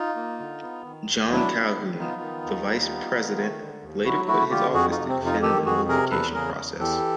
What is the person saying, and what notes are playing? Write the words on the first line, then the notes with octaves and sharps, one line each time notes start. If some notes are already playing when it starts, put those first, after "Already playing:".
John Calhoun, the Vice President, later quit his office to defend the nullification process.
Already playing: D#4 F4
A#3
D3
B3
D#3
D#2
F#3 D4 E4
B3
D#3
B3 D#4 F4
D#3
D#2
G3
B3
D#3
A3
D3
D#2
F#3 E4 F#4
A3 E4 F#4
D3 F4 G4
F2 F#4 G#4
D#4 F4
C3
C4
F2
D#4 F4
D#3 G4 A4
F2 F#4 G#4
C3 G#4 A#4
E2 A4 B4
C#3 G#4 A#4
E2
E3 G4 A4